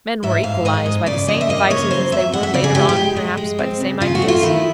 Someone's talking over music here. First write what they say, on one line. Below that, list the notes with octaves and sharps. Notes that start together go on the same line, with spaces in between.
Men were equalized by the same vices as they were later on, perhaps, by the same ideas.
G#2 E5
G#2 F5
G#3 D#5
G#2
C#3 D5
F3 D#5
E5
A#3 D#5
C#3 C#5
F#3 C5
F2 E5
F2 F#5
E5
C#3 D5
G#4
G#3 G4
G4
G#3
G#3
G#3
C4
C#3
C#3 F4
F#4
A3
F4
D#3 E4